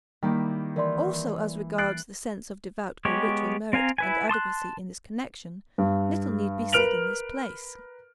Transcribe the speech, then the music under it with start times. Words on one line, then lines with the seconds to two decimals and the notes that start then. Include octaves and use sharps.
Also as regards the sense of devout or ritual merit and adequacy in this connection, little need be said in this place.
0.23 D#3 G3 A#3 E4
0.76 E3 A#4 D5 C6
1.78 F#6 A6 C7 D7
3.05 G#3 B3 G4 C#5
3.73 C4 F5 G#5 A#5
3.98 E4 B4 G#5
4.29 A5 C6 D#6 F#6
5.78 G2
6.72 A#4 B4 F6 D7 F7 F#7